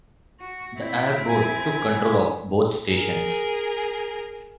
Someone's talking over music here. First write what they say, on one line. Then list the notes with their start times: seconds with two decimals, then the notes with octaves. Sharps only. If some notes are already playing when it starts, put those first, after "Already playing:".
The Air Board took control of both stations.
0.40 F#4
0.78 C4 E4
1.29 G#5
2.88 G#4 A#4